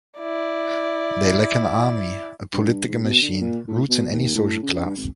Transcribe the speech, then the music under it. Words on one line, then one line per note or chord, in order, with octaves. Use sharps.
They lack an army, a political machine, roots in any social class.
E4 D5
G2
G#2
B2
D3
A#2
A2
B2
D#2
A2
C#3
G2
G#1